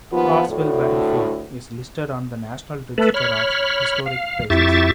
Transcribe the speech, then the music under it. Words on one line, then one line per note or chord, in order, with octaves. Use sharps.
Hartsville Battlefield is listed on the National Register of Historic Places.
D#2 F3 B3 F4
D2 A2
A3 A4 B4
C#5 B5 F6
F5
F2 E4 G4 E5 C#6 A6